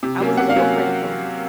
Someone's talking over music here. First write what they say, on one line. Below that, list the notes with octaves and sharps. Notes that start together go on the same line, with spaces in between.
I was a little critical,
C3
F#3 A#3 C#4
C3 F#5
F5
F#3 A#3 C#4